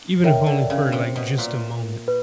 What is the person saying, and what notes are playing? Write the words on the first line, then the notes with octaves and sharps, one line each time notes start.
Even if only for, like, just a moment.
D#3 A#4 C#5 E5 G5
D3
C#3
C3
B2
A#2
B4